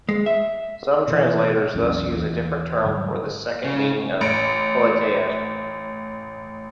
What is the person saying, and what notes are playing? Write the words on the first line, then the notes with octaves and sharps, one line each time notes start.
Some translators thus use a different term for this second meaning of "politeia".
G#3
E5
B2 E3
A#1 E2 F#3 C#4
D#2 E3
G#2 D3 F#3 G3
C#3
A1 D7